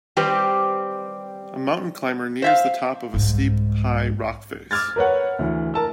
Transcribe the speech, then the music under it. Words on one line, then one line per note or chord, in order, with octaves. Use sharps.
A mountain climber nears the top of a steep, high rock face.
D#3 G3 C4 G4 B4
C5 E5 F5
C2 G#2
D6 E6 F6 G#6 A6
A#4 B4 C#5 F#5
D2 E3
A#4 A5 E6